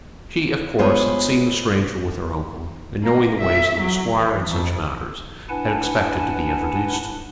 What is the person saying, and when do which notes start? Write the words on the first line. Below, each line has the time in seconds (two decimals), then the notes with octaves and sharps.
She of course had seen the stranger with her uncle, and knowing the ways of the squire in such matters had expected to be introduced to him.
0.79 G#3 B3 F4 C5 C#5
3.03 A#3
3.40 E5
3.81 F#3
4.16 E3
4.50 F2
5.49 D4 E4 B4 F#5 G#5 A5